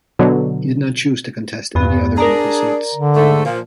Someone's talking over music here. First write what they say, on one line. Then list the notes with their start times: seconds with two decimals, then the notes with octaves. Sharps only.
He did not choose to contest any other local seats.
0.19 B2 D3 F#3
1.75 E2 G2 B3
2.18 D4 G#4 A#4 D5 A#5
2.95 D3
3.16 G#2 A3
3.45 A#2 F3